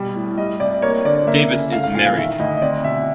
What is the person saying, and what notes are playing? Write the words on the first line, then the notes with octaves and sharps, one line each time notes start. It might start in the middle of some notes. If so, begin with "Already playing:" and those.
Davis is married.
Already playing: B2 G3
A2
G3 D#5
C3 D5
A#3 C#5
D3 D5
A#3 E5
C#3
A3 F5
F5
A#2 F5
F5
D#3 E5
D2 D#5
D#5
C4 D5
B2 E5